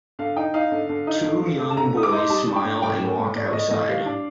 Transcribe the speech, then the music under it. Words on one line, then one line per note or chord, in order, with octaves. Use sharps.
Two young boys smile and walk outside.
D3 F5
D#4 G5
D#4 F5
D3
D3
D#4
D3
D3
A3
A5
D3 A#5
A3 D#6
D6
D#4 C6
G3 A5
D4
G5
A2
A2 G5
A2
A2
A2 D5
A2 D#5
A2 D#5
G3 F5
D4